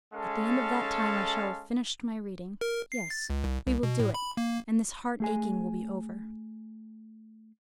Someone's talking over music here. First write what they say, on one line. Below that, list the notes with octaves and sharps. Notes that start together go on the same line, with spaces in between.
At the end of that time I shall have finished my reading--yes, we will do it, and this heart-aching will be over.
G#3 C#4 A4 F5 A5
A#4
C7
A6
C#2
C2
C2
B2
A2
B5
A#3
A3 G#4 G#5